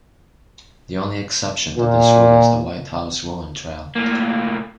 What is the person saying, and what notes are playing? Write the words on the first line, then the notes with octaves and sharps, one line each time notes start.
The only exception to this rule is the White House Ruin Trail.
A#2
A2 A#3